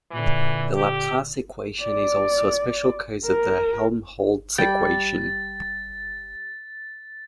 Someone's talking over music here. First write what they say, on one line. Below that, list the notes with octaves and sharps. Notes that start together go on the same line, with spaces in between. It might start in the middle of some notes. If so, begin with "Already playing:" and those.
The Laplace equation is also a special case of the Helmholtz equation.
A#2 D3 E3
G4
D5
A#4
G3 G5 A6